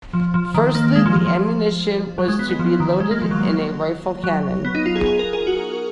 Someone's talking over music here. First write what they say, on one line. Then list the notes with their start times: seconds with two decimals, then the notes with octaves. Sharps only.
Firstly, the ammunition was to be loaded in a rifled cannon.
0.13 F3
0.34 F3
0.54 D#3
0.75 A#3
0.95 G#3
1.06 F3
1.16 F3
1.26 F3
2.18 F#3
2.28 G#3
2.39 B3
2.50 B3
2.59 F3
2.80 D#3
3.00 G#3
3.11 A#3
3.22 F3
3.31 F#3
4.24 F#3
4.65 B3
4.75 D#4
4.86 F4
4.96 G#4
5.06 G#4
5.19 A#4
5.33 G#4
5.47 F#4